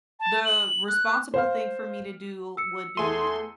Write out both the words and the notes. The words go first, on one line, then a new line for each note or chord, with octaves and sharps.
the responsible thing for me to do would be
A5
F#7
F#6
C5 F5 F6
E6 C#7
E2 A3 G#4 C6 D#7